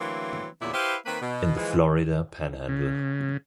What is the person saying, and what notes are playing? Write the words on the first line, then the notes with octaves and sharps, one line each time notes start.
In the Florida panhandle.
D3 E3 F#3 A3 A#3 C4
E2 A#2 D3 F#3 E4 G4
E4 G4 B4 C5 E5 F5
D#3 A#3 C4 B4
B2
E3 F3 G#3
C#3